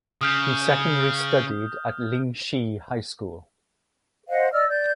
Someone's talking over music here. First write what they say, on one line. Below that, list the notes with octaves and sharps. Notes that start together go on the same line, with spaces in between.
He secondary studied at Lingxi High School.
C#3 D#6 F6 G6
C5 D#5 F5 F#5
D5 D#5 E6 F6
D5 G6